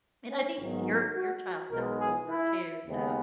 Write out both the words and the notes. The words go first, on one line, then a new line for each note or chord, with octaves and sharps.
and I think your your child sounds older too, so
C#4
G#1 G#2 D#3 F#3 B3
E4
F#4
B1 B2 G#3 B3 A#4
G#4
E4
D#2 C#3 G#3 B3